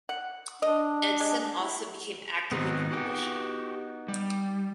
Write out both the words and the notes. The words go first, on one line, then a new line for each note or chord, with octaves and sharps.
Edson also became active in the militia.
F#5
D4 D#5
G#3
E4
G#2 D#3 B3 C4 D#4
F#4 G4
G3